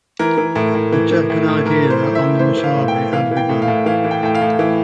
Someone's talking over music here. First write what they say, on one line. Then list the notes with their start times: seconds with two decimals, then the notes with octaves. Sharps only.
The taconite era on the Missabe had begun.
0.19 E3 A#4
0.38 E3
0.56 A2
0.75 A2
0.93 E3
1.11 E3
1.30 A2
1.48 A2
1.66 E3 A#4
1.84 E3
1.90 C5
2.03 A2
2.15 E5
2.21 A2
2.39 E3 C5
2.57 E3
2.63 F5
2.76 A2
2.88 G5
2.94 A2
3.13 E3 F5
3.31 E3
3.37 G5
3.49 A2
3.62 F5
3.68 A2
3.86 E3 F5
4.04 E3
4.11 G5
4.23 A2 G5
4.35 F5
4.41 A2
4.59 E3